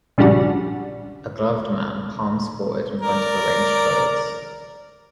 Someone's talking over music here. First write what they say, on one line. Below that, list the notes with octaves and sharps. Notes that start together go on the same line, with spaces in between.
A gloved man palms forward in front of arranged clothes.
A#1 G2 C#3 G3 D4 F#4
A#4 D5